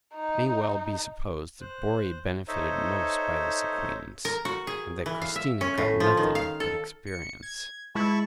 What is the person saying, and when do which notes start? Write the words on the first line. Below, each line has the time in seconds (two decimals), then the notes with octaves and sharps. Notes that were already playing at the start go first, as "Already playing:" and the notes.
It may well be supposed that Borri benefited most by this acquaintance, and that Christina got nothing but experience.
0.14 D#4
1.61 C5 F#6
2.48 D#4 A4 C5 C#5 D#5 E5
4.25 A#4
4.45 F#4
4.67 G#4
5.06 E3
5.22 F5
5.36 E5
5.61 C#4
5.78 A2
6.00 F3
6.17 D#3
6.35 F5
6.60 A4
7.07 C#7
7.43 G#6
7.95 G#3 E4 A5 B5 C#6